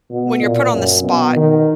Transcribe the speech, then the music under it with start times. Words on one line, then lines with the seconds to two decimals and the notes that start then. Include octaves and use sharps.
When you're put on the spot
0.11 B2
0.42 A#2
0.73 F#2
1.03 B2
1.36 D#3